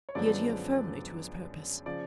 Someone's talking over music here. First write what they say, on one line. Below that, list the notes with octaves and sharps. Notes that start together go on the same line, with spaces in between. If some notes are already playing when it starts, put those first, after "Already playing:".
He adhered firmly to his purpose.
C#5
F#2 D3 F3 G#3 B3 D5
C#3 F3 D5